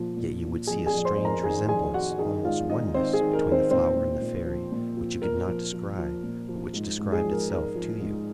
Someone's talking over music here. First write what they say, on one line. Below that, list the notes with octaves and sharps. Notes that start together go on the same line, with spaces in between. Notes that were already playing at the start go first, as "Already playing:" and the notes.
Yet you would see a strange resemblance, almost oneness, between the flower and the fairy, which you could not describe, but which described itself to you.
Already playing: A#2 F3
A#2
A#2
F2 G#4 G#5
G#4 G#5
F2
C5 C6
F2
A#4 A#5
D#3 G#4 G#5
F2 G#4 G#5
D#3 F#4 F#5
D#3 G#4 G#5
G#2 F4 F5
D#3 D#4 D#5
D#3 C4 C5
G#4
D#3
A#4
D#3
C4 C5
A#2 C4 C5
A#2
A#2
F3
A#2
F3
A#2 A#4
F3
F3
F3
A#2
F3
G#2
G#2
G#4
F3
A#4
G#2 A#4
F3
G#2